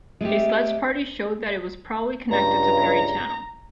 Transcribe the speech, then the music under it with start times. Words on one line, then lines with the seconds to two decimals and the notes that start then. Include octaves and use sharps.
A sledge party showed that it was probably connected to Parry Channel.
0.21 G#3 A3 C4 G4
2.29 C#2 G2 A#5